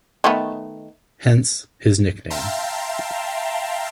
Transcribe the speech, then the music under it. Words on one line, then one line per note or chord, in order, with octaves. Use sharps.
Hence, his nickname.
D#3 A3 B3
E5 F5 G5 A5 A#5 C6